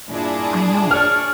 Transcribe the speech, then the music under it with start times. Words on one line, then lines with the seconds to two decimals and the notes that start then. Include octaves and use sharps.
I know.
0.10 G2 A#2 D4 E4 G#4
0.91 C#5 D5 F6